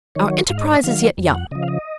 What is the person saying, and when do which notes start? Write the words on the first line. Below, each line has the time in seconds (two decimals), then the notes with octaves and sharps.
'Our enterprise is yet young.
0.15 D#3 F#3 C#5
0.50 G#2 F5
0.58 D#5
0.65 C#5
0.72 D#5
0.83 D#3 F#3 F5
1.17 F2
1.35 F#5
1.51 C#3 F3 D#5
1.63 F5
1.68 D#5